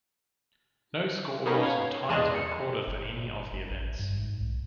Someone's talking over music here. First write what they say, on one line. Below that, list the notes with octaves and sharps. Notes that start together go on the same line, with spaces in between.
No scores or times are recorded for any of the events.
A#3 B3 C#4 D#4 B4
C#5 F5 G#6
E2 G#3 D4 G#4 D#5 A5
C#7
G1
A1
G2
G#2
B1